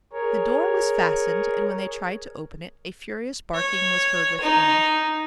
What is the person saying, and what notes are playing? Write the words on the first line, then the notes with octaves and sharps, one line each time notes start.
The door was fastened, and when they tried to open it a furious barking was heard within.
G#4 A#4 C#5
C#5
D#4